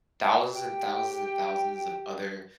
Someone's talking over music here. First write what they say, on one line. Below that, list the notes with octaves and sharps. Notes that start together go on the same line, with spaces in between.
thousands and thousands and thousands of other,
G4 G5